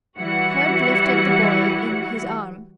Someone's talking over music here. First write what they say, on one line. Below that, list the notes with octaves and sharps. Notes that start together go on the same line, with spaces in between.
Hurd lifted the boy in his arm.
E3 G3 E4 F#4 F#5 C#7